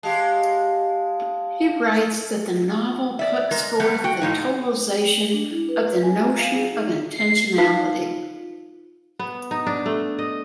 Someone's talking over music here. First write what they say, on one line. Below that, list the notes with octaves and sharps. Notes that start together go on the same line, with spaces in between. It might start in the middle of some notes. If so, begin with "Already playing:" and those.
He writes that the novel puts forth the "totalization of the notion of intentionality".
G#3 G4 F5 A5
D5 E5
G#3 A#4
G3 A3 B3
F#4 G5
A2 F3 D#4
D4
E4
B4
G#5
A#5
F5
G#4
D#4
C7
D#4 F4 B4 C5 F5
B3
D#4
D4
A3
D#5